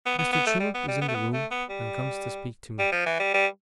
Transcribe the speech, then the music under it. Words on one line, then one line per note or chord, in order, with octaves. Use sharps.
Mr. Chillip is in the room, and comes to speak to me.
B3
B3
B3
A3
G3
B3
G3
B3
A3
B3
A3
B3
G3
G3
F3
E3
G3
G3